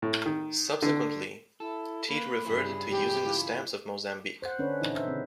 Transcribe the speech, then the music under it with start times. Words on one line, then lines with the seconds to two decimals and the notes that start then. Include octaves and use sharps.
Subsequently, Tete reverted to using the stamps of Mozambique.
0.02 A2
0.26 D#3
0.82 D3
1.60 E4 A4
2.08 A#3 B4 B5
2.45 G2 C#3 E4 G#4 C5
2.90 B2 E3 C#4 G4
3.23 C#3 E3 E4 F4
4.42 C5 F#5
4.59 D3 C#4 D4 B4 C#5
4.81 A#2 E3 D#4 E4 D#5
4.94 C5 E5
5.07 C#3 C4